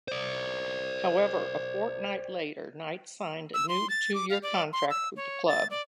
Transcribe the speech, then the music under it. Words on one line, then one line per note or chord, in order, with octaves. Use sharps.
However, a fortnight later, Knight signed a new two-year contract with the club.
C5 D5
E6
C6
A6
D6
F5
D5
C6
E6
C#5
A6
D5